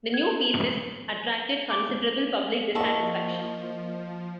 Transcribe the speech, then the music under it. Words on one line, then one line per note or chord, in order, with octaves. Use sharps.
The new pieces attracted considerable public dissatisfaction.
G#6
D6
F3 A#3 E4 D#5 A5 C#6